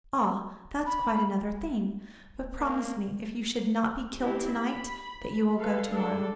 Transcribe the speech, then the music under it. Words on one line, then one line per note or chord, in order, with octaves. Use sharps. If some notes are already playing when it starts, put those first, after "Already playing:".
"Ah, that's quite another thing; but promise me, if you should not be killed tonight, that you will go tomorrow."
B5
A#3
C4 E4 G4
B5
A4 B4 F5
G#3 D4 A4